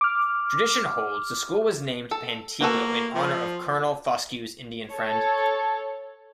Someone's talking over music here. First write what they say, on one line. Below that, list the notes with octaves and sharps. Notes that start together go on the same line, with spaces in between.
Tradition holds the school was named Pantego in honor of Colonel Foscue's Indian friend.
D6 F6
A4
A#3 B3 F#4 A4
F3
A4 C#5